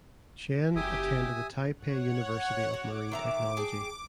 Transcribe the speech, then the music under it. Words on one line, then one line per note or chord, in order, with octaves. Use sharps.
Chen attended the Taipei University of Marine Technology.
F#1 G4 E5 G#5 D#6
C#5 F#5
F#4 D6
D#3 E5 A#5
G#4 G5 A5